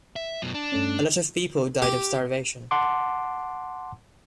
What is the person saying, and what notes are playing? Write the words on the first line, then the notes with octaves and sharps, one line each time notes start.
A lot of people died of starvation.
E5
F#2 B2
D4
G2 A3 C#4
G4
F#5 A5 C6 D6